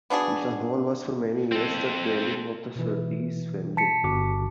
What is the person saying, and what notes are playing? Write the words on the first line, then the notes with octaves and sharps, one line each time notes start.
The Hall was for many years the dwelling of the Surtees family.
B3 D4 F#4 G#4
C4 A4
B2 E3
A5 B6 C#7
G1 F#4 D6